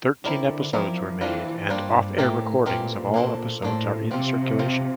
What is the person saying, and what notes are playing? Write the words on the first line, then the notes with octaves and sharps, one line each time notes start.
Thirteen episodes were made and off-air recordings of all episodes are in circulation.
D3 C4 E4 A#4 D5
F3 C4 E4 A#4 D5
E3 G3 A#3 D4 F4 C5
G2 G3 A#3 D4 F4 C5
A2 E3 A3 C4 G4 A#4
A#2 E3 A3 C4 G4 A#4
A#3 D4 A4 C5
A2 A#3 D4 A4 C5
C3 F3 C4 F4 C5
F3 C4 F4 C5